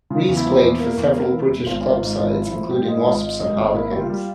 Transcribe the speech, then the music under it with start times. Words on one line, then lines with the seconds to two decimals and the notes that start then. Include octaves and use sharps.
Rees played for several British club sides, including Wasps and Harlequins.
0.10 C#3 F4
0.28 E2
0.37 E4
0.46 F3
0.62 E2
0.79 A#3
0.97 E2
1.14 A#3
1.32 E3
1.49 E1
1.66 G#1 F4
1.84 G#1
1.93 F4
2.02 G#2
2.18 G#1 F4
2.27 E4
2.36 F3 F4
2.45 E4
2.53 F3
2.71 G#2 G4
2.84 G#3 F4
2.97 E4
3.06 G#1 F4
3.23 G#3
3.40 G#3
3.58 G#1
3.74 A#3 E4
3.92 A#3 G4
4.00 F4
4.09 G3